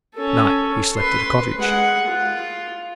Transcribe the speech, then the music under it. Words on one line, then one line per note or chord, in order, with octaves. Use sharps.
At night we slept at a cottage.
C#4 A4
B4 C6
G#3 F#5
F4